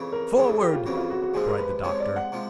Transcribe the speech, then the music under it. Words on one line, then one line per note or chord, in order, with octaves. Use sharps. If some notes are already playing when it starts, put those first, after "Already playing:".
"Forward!" cried the doctor.
Already playing: F2 C#3 E3
A#4
F2 C#3 E3 G#4
A4
G4
F4
F2 C#3 E3 F#4
F4
F#4
F#4
C3 F3 G#3 G#4
A#4
B4
C3 F3 G#3 C#5
D5
F#5
C3 F3 G#3